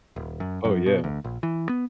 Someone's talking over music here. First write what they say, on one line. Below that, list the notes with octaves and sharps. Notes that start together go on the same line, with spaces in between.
Oh, yeah.
D#1
F#2
F#2
B2
D2
A#1
E3
B3